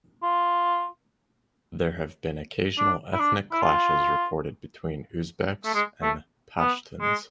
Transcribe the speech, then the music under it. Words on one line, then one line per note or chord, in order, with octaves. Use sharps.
There have been occasional ethnic clashes reported between Uzbeks and Pashtuns.
F4
D4
E4
D4
E4
F4
A3
G#3
A3
B3
G#3